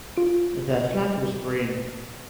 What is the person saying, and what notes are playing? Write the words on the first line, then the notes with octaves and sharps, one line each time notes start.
Their flag was green.
F4 D7